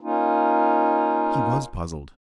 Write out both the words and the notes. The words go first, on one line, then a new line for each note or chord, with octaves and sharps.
He was puzzled.
A#3 C#4 D#4 F4